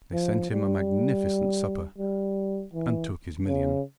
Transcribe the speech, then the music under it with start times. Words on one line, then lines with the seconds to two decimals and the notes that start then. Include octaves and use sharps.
They sent him a magnificent supper, and took his million.
0.13 F3
0.50 G3
1.98 G3
2.74 E3
3.47 C#3